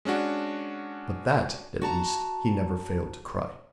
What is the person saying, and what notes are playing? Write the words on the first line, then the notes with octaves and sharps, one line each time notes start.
But that, at least, He never failed to cry.
G#3 C#4 D4 F#4
F#4 A5 A#5